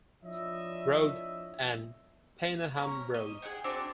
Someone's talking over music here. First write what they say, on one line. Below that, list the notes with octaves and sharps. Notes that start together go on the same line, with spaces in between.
Road and Payneham Road.
F3 D4 E4 C#5 D#5 E5
C#4 A#5
D#5
G#4 D#5 F#5 G5
C4 D4 F#4 D5